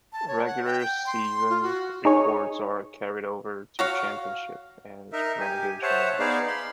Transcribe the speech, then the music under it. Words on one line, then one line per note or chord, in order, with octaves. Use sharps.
Regular season records are carried over to championship and relegation rounds.
A5
C#5
F#5
G5
G5
C6
F4
F#4
D#4 G#4 C#5
F#4 C#5 F5
D#4 A#4 E5
G4 G#5
C5 C#5 E5 F#5 A5
B3 D#4 G#4 D5 F5
B5 C6